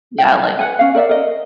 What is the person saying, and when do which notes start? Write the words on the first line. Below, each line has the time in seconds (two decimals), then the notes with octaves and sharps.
Yeah, like
0.18 G5
0.59 B4 F#5 G#5
0.79 C#4 F5
0.95 A#4 D5 E5 F#5
1.09 A#4 D#5